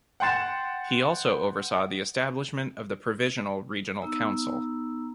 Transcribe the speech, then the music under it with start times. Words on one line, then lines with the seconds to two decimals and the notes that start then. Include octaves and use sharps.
He also oversaw the establishment of the Provisional Regional Council.
0.20 F#5 G5 C6 A6 E7
4.02 B3 D#4 A#5 E6